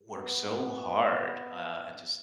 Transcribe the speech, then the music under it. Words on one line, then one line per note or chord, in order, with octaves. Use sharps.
work so hard, uh, and just
B3